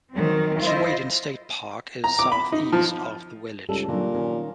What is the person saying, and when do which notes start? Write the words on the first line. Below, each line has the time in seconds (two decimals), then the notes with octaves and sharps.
Keewaydin State Park is southeast of the village.
0.12 D#3 F#3 C4
0.60 E4 F4 C5 D#5
2.04 A#5
2.19 D6
2.32 B5
2.52 D#4
2.72 F3
3.69 C#2 G3 D#4 A4
3.88 A#2 D3 F#3 D#4
4.14 D#3 C#4